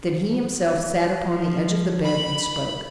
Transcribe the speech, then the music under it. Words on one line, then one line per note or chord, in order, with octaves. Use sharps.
Then he himself sat upon the edge of the bed and spoke.
F3
B5